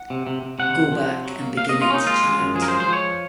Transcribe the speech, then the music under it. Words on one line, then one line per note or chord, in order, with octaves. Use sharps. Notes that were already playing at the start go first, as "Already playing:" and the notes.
Go back and begin it, child.
Already playing: F#5
C3
C3
C3
C3 F#5
F2
F3
C3
F#3
A#3
A#3 F5
C3 D#5
F4
A#3 C#4 D#4
G#3 F4
G#3
F#2
F3 G#4
A#4
C5
G#3
C5
F3
C#5